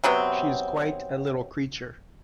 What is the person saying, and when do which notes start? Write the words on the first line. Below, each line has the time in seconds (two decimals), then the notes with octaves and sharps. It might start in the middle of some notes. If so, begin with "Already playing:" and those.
She is quite a little creature.
0.04 C3 F#3 B3 C4